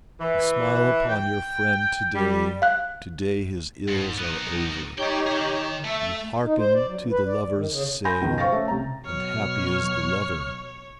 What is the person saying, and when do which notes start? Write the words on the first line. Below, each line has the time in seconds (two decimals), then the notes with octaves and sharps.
You smile upon your friend to-day, To-day his ills are over; You hearken to the lover's say, And happy is the lover.
0.20 E3
1.10 G5
2.14 G3
2.62 F5 F#6
3.88 G#2
4.18 B3 D#4
4.98 D#4 G4 C#5 D5 G5
5.27 G#4 F5
5.40 D#3
5.84 A3 E5
6.45 D#4
6.58 C5
6.74 D5
6.87 F#3
6.99 G2
7.10 B4
7.26 D5
7.42 D2
7.56 D#3
7.69 C#3
8.05 G#5 B5 C6 G6 A#6
8.21 C#2 B2 D#3
8.38 C5 F5 C#6 A6 A#6
8.52 A3 C#4
8.68 C2 A#5
9.05 B2 F#3 C#5 F6